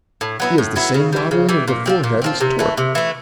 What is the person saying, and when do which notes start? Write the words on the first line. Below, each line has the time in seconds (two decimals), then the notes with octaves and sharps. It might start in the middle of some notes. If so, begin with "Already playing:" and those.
He has the same modelling of the forehead as Torp.
0.21 A2
0.40 F#3 B3 E4
0.58 A2
0.76 F#3 B3 E4
0.94 C#3
1.13 E3 G3
1.31 C#3
1.49 E3 G3
1.68 A#2
1.86 F3 G#3 C4
2.04 A#2
2.22 F3 G#3 C4
2.40 C3
2.59 E3 A3
2.77 C3
2.95 E3 A3